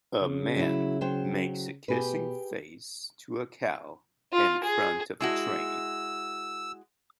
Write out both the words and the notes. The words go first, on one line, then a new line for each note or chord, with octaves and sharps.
A man makes a kissing face to a cow in front of a train.
C#3
F#3 E4
F#3 C5 G5
B2 G4 G#4 B4
F4
G#4
G#3 E4 F#4 E6